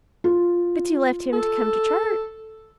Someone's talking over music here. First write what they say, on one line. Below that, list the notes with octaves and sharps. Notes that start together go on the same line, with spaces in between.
'But you left him to come to church.'
F4
A4